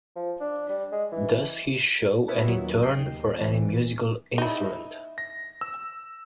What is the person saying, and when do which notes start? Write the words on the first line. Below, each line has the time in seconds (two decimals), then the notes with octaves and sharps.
Does he show any turn for any musical instrument?
0.16 F3
0.41 D4
0.69 G3
0.92 G#3
1.12 E3
2.28 B2 B3 C#4 E4
2.48 D#2 A#2 F#3
2.82 G#1 D#5 G5 C7
2.99 D#2
3.40 C2 E3
4.38 D#4 E4
5.18 A#6
5.61 E6